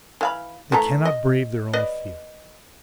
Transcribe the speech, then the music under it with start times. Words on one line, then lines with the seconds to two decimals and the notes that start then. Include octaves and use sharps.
They cannot brave their own fear.
0.21 E3 F5 B5
0.72 E3 A3 A#5
1.05 D#5
1.73 B4 D5 D#5